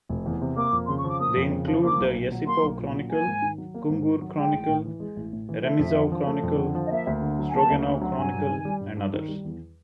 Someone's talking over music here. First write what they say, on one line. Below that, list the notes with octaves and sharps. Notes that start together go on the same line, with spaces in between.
They include the Yesipov Chronicle, Kungur Chronicle, Remezov Chronicle, Stroganov Chronicle, and others.
F1
E2
C3
A#3 D6
F2
C#3 C6
C#6
F3 D6
A#3 D#6
F2
C#3
F3
A#3 D6
B1
A#2
F#3
A#3 C6
B1
A#2
F#3
A#3 G#5
G#2
D#3
F#3
A#3
G#2
D#3
F#3
G#3 G5
A1
A2
E3
G#3
A1
A2
E3
A3 E5
F2
D3
F3
A3
F2
D3
F3
D#5
A#3 E5
D2
D3
F#3
G#5
A#3 A5
D2
D3
F#3
G2 G#5
G2
D#3
G3
G2
G2
D#3
G3
E2